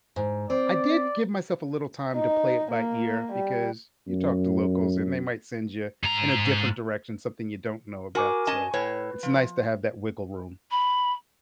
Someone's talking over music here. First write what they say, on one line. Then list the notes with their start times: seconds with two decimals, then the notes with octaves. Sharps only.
I did give myself a little time to play it by ear because you talk to locals, and they might send ya in a different direction, something you don't know about, so, it's nice to have that wiggle room.
0.16 G#2
0.50 C4 D5
2.12 D#4
2.71 A#3
3.32 G3
4.08 F#2
6.03 G#2 A#5
8.15 F#4 A#4 G#5 D6
8.47 C#4 D#5 G#5 A5
8.74 A2 B4 C#5
9.23 F3
10.71 B5